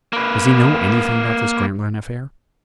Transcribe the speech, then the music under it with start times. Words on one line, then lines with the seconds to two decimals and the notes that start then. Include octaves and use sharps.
"Does he know anything about this Grantline affair?"
0.13 A#3 B4